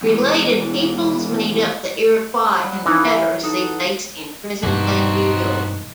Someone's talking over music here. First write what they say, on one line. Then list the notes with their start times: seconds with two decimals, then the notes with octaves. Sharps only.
Related peoples made up the Iroquois Confederacy based in present-day New York.
0.03 E2 G#3
2.59 F#3 G3
2.86 E3 F3 C#4 D#4
3.03 A#4 E5
3.43 D#4 F#4 A4
4.63 E1 A#1 G2 C4 D#4 F#4